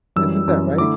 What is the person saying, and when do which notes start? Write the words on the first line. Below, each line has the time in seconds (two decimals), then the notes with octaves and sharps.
Isn't that right?
0.16 F#2 E3 G3 E6
0.48 F#2 E3 G3
0.78 D3 A3 E4 D6